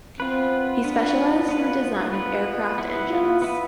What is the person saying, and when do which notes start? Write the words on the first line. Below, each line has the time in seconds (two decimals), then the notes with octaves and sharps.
He specialised in the design of aircraft engines.
0.20 B3 C4 F4 B4
0.84 B3 D4 F4 B4
1.48 B3 F4 B4
2.14 B3 F4 B4
2.78 B3 E4 B4
3.10 F4
3.42 B3 E4 B4